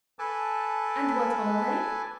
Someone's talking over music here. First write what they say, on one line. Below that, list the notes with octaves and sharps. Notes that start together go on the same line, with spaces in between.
"And what are they?"
A4 B4 G#5 A5 D6